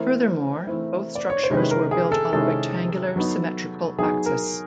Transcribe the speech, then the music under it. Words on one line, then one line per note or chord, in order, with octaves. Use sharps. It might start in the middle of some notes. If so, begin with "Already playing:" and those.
Furthermore, both structures were built on a rectangular, symmetrical axis.
Already playing: E3 A3 C4 E4 A#4
E3 A3 C4 E4
D5
C#5
C5
C3 D#3 G#3 C#4 E4
B4
A#4
G#4
A4
C3 D#3 G#3 C#4 E4 A4
F#3 B3 D#4
F#3 B3 D#4 G#4
A#4